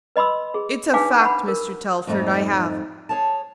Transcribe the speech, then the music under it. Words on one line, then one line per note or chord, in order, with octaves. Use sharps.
It's a fact, Mr. Telford--I have.
B4 D#5 B5 C6 E6
G#4
D4 D#4 B4 F5 G#5 D6
F#5 B5
A#4
F2 G#2 G3 A3 D#4
G#4 C#5 A5